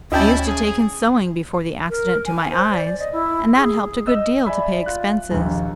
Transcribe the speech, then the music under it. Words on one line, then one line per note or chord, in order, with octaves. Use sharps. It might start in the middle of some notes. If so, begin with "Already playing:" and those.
I used to take in sewing before the accident to my eyes, and that helped a good deal to pay expenses.
D2 C#4 E4 D#5 G5 A5
G#4
A#4
G#5
C5
D5
D#5
E4
G#4
D#5 E6
D5 E5 G#5 B5
F4 F#6
A#1 D#2